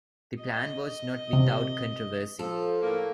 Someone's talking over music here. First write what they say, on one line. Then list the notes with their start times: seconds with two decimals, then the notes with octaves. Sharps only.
The plan was not without controversy.
0.42 D#5
1.33 C3
2.39 F3 A4
2.82 A2 A#3